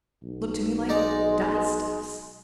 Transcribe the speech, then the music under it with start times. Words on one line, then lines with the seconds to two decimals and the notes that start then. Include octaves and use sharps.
Look to me like dyestuffs.
0.23 B1
0.89 G#3 D#4 D5 A#5